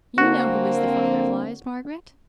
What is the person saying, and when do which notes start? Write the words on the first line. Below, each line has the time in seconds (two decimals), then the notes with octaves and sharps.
You know who is the father of lies, Margaret?
0.18 D3 A#3 C4 F#4